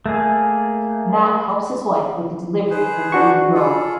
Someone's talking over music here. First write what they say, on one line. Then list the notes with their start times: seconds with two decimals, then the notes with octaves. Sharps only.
Matt helps his wife with the delivery of their baby girl.
0.06 A3 A#3 G#4
2.70 G#4 B4 C5
3.12 D4 F#4 C#6
3.55 F4 G#4 A4